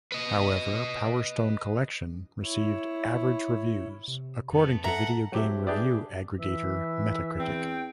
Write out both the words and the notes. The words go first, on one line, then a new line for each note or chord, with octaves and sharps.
However, "Power Stone Collection" received "average" reviews according to video game review aggregator Metacritic.
B4 D#5
E4 C#5
C3
F2 A3 B3
A4 E5 F#5 A#5
F#3 C4 G4 A4 E5
D4 G4 G#4 B4 D5 E5
E3 E5
E2 C4 G5